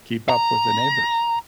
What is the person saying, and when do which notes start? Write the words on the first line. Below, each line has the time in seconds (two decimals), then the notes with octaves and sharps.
keep up with the neighbors.
0.29 A#5